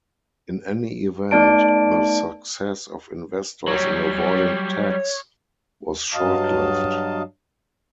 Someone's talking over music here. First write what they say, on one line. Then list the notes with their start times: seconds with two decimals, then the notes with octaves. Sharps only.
In any event, the success of investors in avoiding tax was short lived.
1.31 A3 B3 D#4 D5 A5 D7
3.68 F#3 G3 C#5
6.14 G2 F#3 D#5 F5 A5